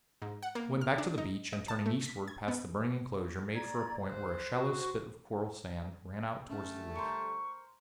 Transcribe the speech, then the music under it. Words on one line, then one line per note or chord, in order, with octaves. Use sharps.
I went back to the beach, and turning eastward past the burning enclosure, made for a point where a shallow spit of coral sand ran out towards the reef.
G#2
F#5
A#3
F6
D4
D#4
D#5
A5
A3
B6
G#6
B3
D5 A#5 G#6
C5 F#6
F#4
D3 G3 A3 C#4
A#4 C5 C#6